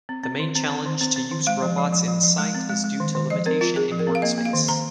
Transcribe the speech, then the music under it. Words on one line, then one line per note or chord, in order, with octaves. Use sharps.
The main challenge to use robots in site is due to limitation in workspace.
C4
C4
D#3
C4
C4
D#3
C4
C4
D#3
G#3 F5
F3
F3
F3
F3
F3
G#3
C4
G#3
G#3
D#3
D#3
F3 D#5
C4 A#4
C4 F4
C4 G#4
F3
A#4
C4
F5
A#3 D#5
A#3
F5
D#3
D#3 A#5